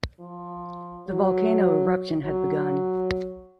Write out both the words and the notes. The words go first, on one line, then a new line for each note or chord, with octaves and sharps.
The volcano eruption had begun.
F3
F#3
F#3